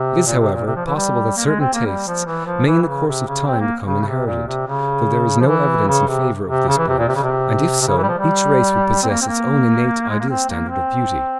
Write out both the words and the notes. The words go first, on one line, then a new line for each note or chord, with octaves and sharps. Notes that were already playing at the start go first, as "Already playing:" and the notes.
It is, however, possible that certain tastes may in the course of time become inherited, though there is no evidence in favour of this belief: and if so, each race would possess its own innate ideal standard of beauty.
Already playing: C3
A#2
C3
A#2
C3
F3
E3
G3
A#3
G#3
C4
A#3
G3
F3
E3
F3
E3
E3
C#3
C3
C#3
C4
A#3
C#3
C#3
C3
A#2
C3
C#3
F3
E3
C#3
C3
C3
C#3
E3
C3
A#2
C3
C#3
C3
C3
C#3
E3
G3
F3
G3
C4
A#3
C4
A#3
G#3
A#3
C4
A#3
C4